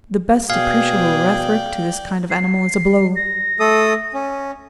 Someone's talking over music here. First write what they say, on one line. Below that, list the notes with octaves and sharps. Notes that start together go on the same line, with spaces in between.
The best appreciable rhetoric to this kind of animal is a blow.
B2 G#4 D5 F5 G5
C7
A#6
A3 A4 D#6
C#4